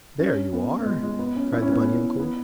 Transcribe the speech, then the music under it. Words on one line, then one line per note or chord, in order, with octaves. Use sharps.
"There you are!" cried the bunny uncle.
C#4
B3
B3
G#3
G#3
B3
C#4
E4
C#4
B3
C#4
B3